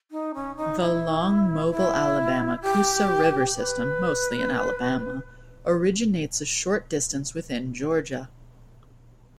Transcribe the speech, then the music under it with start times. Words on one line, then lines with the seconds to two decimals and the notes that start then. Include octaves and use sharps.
The long Mobile-Alabama-Coosa River system, mostly in Alabama, originates a short distance within Georgia.
0.11 D#4
0.34 C#4
0.57 D#4
0.80 E4
1.71 E4
2.62 G4
3.54 B4